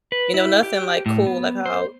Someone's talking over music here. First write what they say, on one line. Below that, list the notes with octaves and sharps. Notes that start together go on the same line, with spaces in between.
you know, nothing like cool, like how,
B4
E4
G4
A2
B3
C5